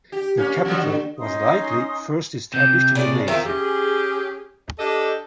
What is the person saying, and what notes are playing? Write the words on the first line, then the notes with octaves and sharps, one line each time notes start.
The capital was likely first established in Amasia.
G4
A#3 C#4
E2 F#3
D3
C#4 D#4 C6 D#6
C3 G6
C#3 C#4 D4 D5
D#3 C4 F4 A#4 E5
C#4 G4 G#4
D4 G4 A4 D#5